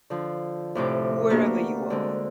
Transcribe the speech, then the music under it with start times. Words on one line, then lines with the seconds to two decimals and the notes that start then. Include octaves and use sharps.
Wherever you are!
0.10 D3 F3
0.75 D2 A2 C3 D6
1.30 A#3 B3 D4 F#4 G4 A#4
1.90 D3 G#3 C4